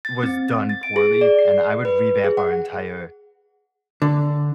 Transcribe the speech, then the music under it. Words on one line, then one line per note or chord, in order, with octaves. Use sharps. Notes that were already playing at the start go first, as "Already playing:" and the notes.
was done poorly, and I would revamp our entire
A6
C4
A6
D7
G#4
D5
C7
B4
G#4
F#5
D3